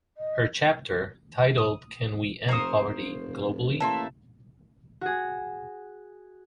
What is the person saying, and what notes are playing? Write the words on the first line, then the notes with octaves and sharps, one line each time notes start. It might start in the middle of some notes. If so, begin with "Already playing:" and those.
Her chapter, titled Can We End Poverty Globally?
D#5
D#6
F1 A#3 C5 A#5 C#6 D#6
A1 A3 A#3 E5 A5 C6
F#4 G#4